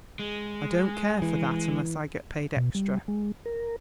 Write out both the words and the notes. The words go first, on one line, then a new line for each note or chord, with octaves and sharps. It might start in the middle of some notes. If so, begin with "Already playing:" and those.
I don't care for that, unless I get paid extra.
G#3
E3
B2
G3
G#3
A#4